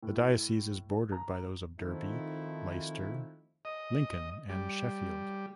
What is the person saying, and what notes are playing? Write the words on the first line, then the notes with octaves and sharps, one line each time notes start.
The diocese is bordered by those of Derby, Leicester, Lincoln, and Sheffield.
A2
A#5
D#3 F3 A3 C4 D#4 E4
D#5
G3